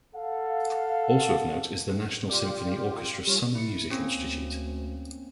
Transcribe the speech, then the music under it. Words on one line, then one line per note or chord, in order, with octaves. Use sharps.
Also of note is the National Symphony Orchestra Summer Music Institute.
A4 F5 F#5
F4 G4 D5
G3 C#4 F4
E4 C#7
A#3 C4 C#4
D2